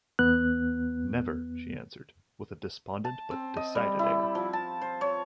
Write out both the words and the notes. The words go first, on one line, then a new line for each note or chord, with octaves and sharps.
"Never," she answered, with a despondent but decided air.
E2 B3 F#6
A5
C4
D#5
G3
E4
F3
A5
C5
C#5